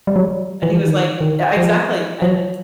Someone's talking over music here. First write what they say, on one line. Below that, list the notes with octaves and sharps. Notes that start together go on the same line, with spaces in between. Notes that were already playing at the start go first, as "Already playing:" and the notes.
And he was like uh, exactly. And
G3
F#3
E3
F3
E3
D#3
D#3
F3
F3
F#3